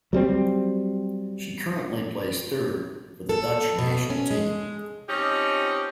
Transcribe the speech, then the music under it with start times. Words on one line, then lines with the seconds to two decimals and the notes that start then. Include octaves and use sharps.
She currently plays third for the Dutch national team.
0.13 F#3 G3 C4
3.29 A4
3.79 B2
4.10 C#4
4.31 G#3
5.09 F3 C4 C#4 D#4 G4 D#5